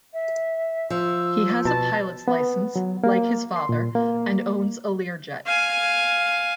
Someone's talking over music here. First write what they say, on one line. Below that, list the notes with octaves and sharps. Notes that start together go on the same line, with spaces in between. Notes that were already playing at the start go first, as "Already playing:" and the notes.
He has a pilot's license, like his father, and owns a Learjet.
E5
F3 E6
B2 A5
B3
F#3
A#3
C6
A#2
A#3
F5 G#5